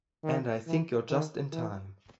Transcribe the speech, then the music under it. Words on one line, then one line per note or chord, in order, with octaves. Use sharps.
And I think you're just in time.
D#3
E3
D#3
E3